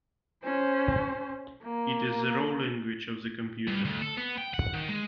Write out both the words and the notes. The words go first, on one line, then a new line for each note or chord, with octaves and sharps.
It is the raw language of the computer.
C#4 C5
A#3
G2
D2
A4
B3
G5
F#5
D#3
G#3